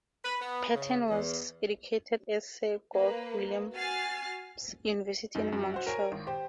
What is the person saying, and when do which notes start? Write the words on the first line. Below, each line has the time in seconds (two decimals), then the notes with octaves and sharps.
Patten was educated at Sir George Williams University in Montreal.
0.24 B4
0.41 B3
0.74 C#3
1.09 E2
2.93 A#3 B4
3.73 F#4 G#5 F6 A6 C7
5.35 F#2 D#4
5.52 F#2
5.74 F#4 C5
5.87 A#4 C#5 G#5 A#5
6.12 G#1
6.27 G4 C5